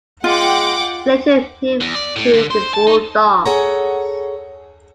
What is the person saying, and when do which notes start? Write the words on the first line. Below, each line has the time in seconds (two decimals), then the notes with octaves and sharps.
He later moved to the Bulldogs.
0.24 G#3 F4 F#5 G5 D6
1.81 E2
1.95 D5
2.16 A2
2.34 D3
2.51 C5
2.74 A5
2.87 D#4
3.46 G#4 A4 C#5 F#5 A#5